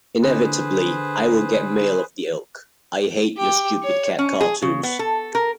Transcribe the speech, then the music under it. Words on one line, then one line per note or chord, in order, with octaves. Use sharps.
Inevitably, I will get mail of the ilk, 'I hate your stupid cat cartoons!
D3 G#4 B4 C5
G4
C#5
C#4
G#4
C#3
B3
A4
A#4